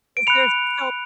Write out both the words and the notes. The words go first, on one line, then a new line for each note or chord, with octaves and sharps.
'cause there's so
D7
B5 F#6 C#7 F7